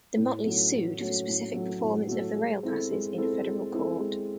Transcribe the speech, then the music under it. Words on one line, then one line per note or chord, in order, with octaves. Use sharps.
The Mottleys sued for specific performance of the rail passes in federal court.
A2
F#3 A3 C#4 F#4
A2
F#3 A3 C#4 F#4
A2
F#3 A3 C#4 F#4
A2
F#3 A3 C#4 F#4
G#3
C4 E4 A4
G#3
C4 E4 A4
G#3
C4 E4 A4
G#3